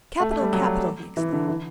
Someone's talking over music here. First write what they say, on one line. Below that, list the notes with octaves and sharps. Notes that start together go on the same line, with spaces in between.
"Capital! capital!" he exclaimed.
A3
A3
G3
F#3
E3
D3
E3